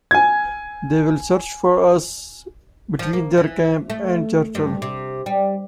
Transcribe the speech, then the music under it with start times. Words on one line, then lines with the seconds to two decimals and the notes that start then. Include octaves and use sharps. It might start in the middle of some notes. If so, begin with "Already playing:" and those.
They will search for us between their camp and Churchill.
0.11 G#5 G#6
2.99 F3
3.13 A#3
3.38 E3
3.90 A3
4.55 G2
4.82 C3
5.26 G3